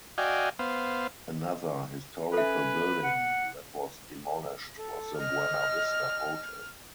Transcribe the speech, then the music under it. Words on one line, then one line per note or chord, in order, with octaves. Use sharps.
Another historical building that was demolished was the Buena Vista Hotel.
F#4 D5 D#5 F5 G5 G#5
B3 C5 F5
C#4 A4 B4 E5
F#5
A4
D#5 F6